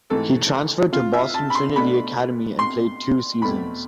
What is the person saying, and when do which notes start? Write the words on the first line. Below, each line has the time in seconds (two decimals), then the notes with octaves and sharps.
He transferred to Boston Trinity Academy and played two seasons.
0.10 G#2 E3 A3 C4 A4
0.93 F4
1.13 E5
1.34 A5
1.50 B5
1.55 C6
1.75 B2 A3 D4 B5
2.59 C6
3.41 E2 B2 A3 C4 B5